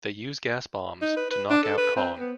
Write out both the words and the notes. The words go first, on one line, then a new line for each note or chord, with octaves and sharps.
They use gas bombs to knock out Kong.
D#4
B4
B4
D4
A4
B4
C4
B3